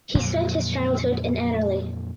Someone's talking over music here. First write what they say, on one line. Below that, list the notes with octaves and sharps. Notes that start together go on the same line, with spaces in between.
He spent his childhood in Annerley.
F2 A#2 D3 F#3